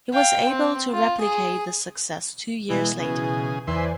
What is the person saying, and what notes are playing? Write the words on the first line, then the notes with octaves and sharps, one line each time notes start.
He was able to replicate this success two years later.
F5 G5
C4
F4
G#4
B2 E3 G#3
C#3 E3 G#4
E2 E3 C5 D5 E5 G#5 C6